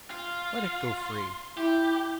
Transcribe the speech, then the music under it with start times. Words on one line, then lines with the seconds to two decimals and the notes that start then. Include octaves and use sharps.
Let it go free.'
0.11 F4
1.57 E4 G4